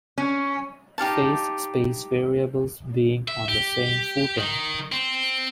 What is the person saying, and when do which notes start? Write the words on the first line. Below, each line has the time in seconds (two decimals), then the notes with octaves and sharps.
Phase space variables being on the same footing.
0.18 C#4
0.98 D#4 G4 F5 A5
3.28 E5
3.49 G4
4.38 D#3
4.92 C4